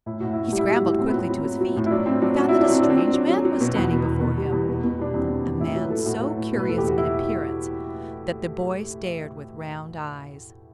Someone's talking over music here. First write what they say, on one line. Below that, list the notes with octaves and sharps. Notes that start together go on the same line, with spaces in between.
He scrambled quickly to his feet and found that a strange man was standing before him--a man so curious in appearance that the boy stared with round eyes.
A2 E4
A2 F#4
A2 E4
F#4
G3
E4
A2 F#4
A2 E4
A2 C4
B3
F#3 C4
F#3
F#3
F#3
A2
E4
F#3 D4
F#3 C4
F#3 D4
F#3 F#4
F#3 E4
D4
F#3 C4
F#3 D4
C4
F#3 D4
F#3
F#3
F#3
B2
E2 B3
B2
E2
B2
G3
E2
B2
B2
G3 D4
E2 C4
E2
E2
A2 E4
F#3
B4
F#3 A4
A2 F#4
F#3
A2
B2
B4
E2 A4
E2 G4
F#4
E4